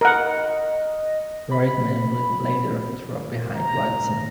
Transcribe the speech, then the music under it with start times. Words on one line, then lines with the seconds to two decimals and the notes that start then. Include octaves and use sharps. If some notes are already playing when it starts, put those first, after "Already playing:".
Reutemann would later drop behind Watson.
0.01 A#4 D#5 F#5
1.51 B5
3.55 A#5